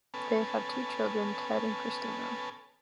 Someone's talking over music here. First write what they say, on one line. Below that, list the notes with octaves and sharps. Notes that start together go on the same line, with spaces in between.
They had two children, Ted and Christina.
B3 C#4 A4 B4 G#5 A5